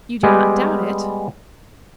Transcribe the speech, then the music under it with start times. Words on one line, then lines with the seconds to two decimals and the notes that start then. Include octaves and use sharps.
"You do not doubt it?"
0.23 G3 G#3 B3 G4 G#5